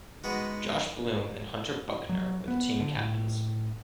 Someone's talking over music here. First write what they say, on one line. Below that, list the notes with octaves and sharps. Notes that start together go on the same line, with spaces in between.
Josh Bloom and Hunter Buckner were the team captains.
G#3 B3 D#4 F#4
F#3
B3
D3
A2